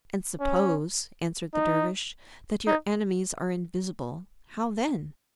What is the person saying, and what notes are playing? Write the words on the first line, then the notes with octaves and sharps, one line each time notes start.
"And suppose," answered the dervish, "that your enemies are invisible, how then?"
C#4
D#4
D#4